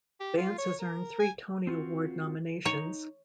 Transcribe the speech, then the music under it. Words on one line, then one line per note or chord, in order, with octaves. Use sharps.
Vance has earned three Tony Award nominations.
G4
F4
C#5
A#4
G#5
C4 F4 F#4
D#4 C#5 A#5